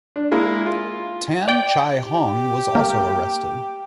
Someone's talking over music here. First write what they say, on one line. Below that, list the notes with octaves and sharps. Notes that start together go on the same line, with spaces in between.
Tan Chai Hong was also arrested.
D4
G#3 A#3 E4
F4
D5 G5
G4
A#3